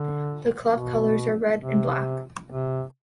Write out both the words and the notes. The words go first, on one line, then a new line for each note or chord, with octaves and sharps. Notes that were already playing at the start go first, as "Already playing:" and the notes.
The club colours are red and black.
Already playing: D3
B2
C3
C3